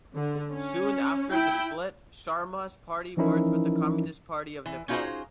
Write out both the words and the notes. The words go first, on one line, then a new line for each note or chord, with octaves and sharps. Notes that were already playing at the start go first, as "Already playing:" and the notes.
Soon after the split Sharma's party merged with the Communist Party of Nepal.
D3
C#4
E4 G5
E3 F3 C#4 D#4 E4 A#4
E3
C#4 D#4 F4 F#4 G#4 C5